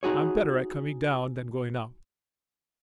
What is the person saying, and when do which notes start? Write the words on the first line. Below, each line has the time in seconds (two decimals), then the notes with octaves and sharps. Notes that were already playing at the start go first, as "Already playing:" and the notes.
"I'm better at coming down than going up."
0.03 D#4 F#4 G#4 C#5